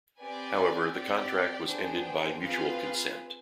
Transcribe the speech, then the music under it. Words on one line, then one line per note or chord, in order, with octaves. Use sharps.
However, the contract was ended by "mutual consent".
C4 G4 B4 D5 G#5
C4 G4 D5 G5
B3 D4 G#4 C5 G5
C4 F4 G#4 B4 F5